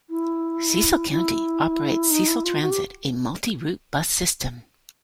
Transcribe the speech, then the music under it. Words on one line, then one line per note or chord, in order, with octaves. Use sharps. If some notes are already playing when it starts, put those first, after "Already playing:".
Cecil County operates Cecil Transit, a multi-route bus system.
E4
E4
D#4
E4
F4
F#4
G4